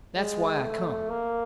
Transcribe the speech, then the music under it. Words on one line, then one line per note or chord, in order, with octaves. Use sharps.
That's why I come.
G#3
A3
A#3